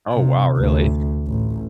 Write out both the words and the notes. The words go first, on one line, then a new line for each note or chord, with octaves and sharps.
Oh, wow, really?
C3
D2
A1